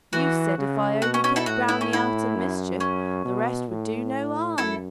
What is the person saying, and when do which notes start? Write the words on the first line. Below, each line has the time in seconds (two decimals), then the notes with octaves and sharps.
You said if I only kept Browney out of mischief, the rest would do no harm.
0.13 E3 F#4
0.58 C#3
1.02 B2 F#4
1.14 C#4
1.24 C#4
1.36 E4 A4
1.46 A2 F#4
1.68 E4
1.81 C#4
1.93 E4
2.36 F#2
2.80 C#4
3.25 B2
3.69 A2
4.58 F#2 E4 A4